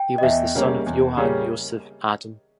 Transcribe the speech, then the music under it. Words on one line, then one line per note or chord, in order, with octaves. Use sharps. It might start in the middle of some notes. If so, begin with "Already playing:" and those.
He was the son of Johann Josef Adam.
Already playing: G5
D#5
E2 E5
C#3 G3 A#3 C#4
E2
C#3 G3 A#3 C#4